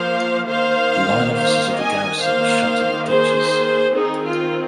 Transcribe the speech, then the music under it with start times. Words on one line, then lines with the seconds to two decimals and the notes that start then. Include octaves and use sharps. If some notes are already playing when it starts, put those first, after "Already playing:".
The nine officers of the garrison are shot in the ditches.
Already playing: F3 A#3 C5 F5
0.48 D#3 A#3 C5 F5
1.34 C5 F5
1.78 D#5 G#5
2.21 D#3 A#3 C5 F5
3.08 G#4 C5
3.94 D#3 C4 D#4 G#4
4.24 F4